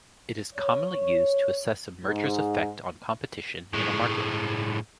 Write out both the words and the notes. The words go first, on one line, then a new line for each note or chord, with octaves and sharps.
It is commonly used to assess a merger's effect on competition in a market.
C#5
G#2
A2 G#3